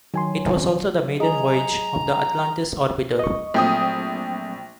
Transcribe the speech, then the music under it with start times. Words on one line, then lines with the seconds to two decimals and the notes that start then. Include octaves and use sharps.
It was also the maiden voyage of the "Atlantis" orbiter.
0.14 D#3 F#3 G#5 C6
1.20 G#4 D#5 A#5
3.19 D#5 C#6
3.54 A#1 F#3 A3 C4 G5 D#6